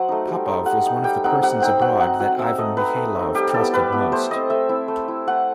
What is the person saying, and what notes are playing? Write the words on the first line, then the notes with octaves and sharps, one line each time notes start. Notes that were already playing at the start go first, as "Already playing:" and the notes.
Popov was one of the persons abroad that Ivan Mihailov trusted most.
Already playing: F#3 C5 F#5
A3 D#4
G3
D#4
G3 F#5
D#4
G3 G5
C4 D#4 F#5
G3 F#5
C4 D#4 G5
F#3 F#5
C4 D#4 F#5
F#3 F#5
C4 D#4 E5
A3 D#5
C4 D#4 B4
A3
C4 D#4
G3 G4
B3 E4 A4
G3 B4
B3 E4
A3 C5
C4 E4 D#5
A3 E5
C4 E4
A3
E4
A3 F#5